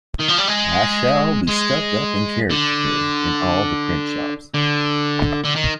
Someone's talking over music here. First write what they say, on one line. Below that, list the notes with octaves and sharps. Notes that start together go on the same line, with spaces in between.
I shall be stuck up in caricatura in all the print-shops.
D#3
F3
G3
G#3
G#3
D3
D3
D3
D#3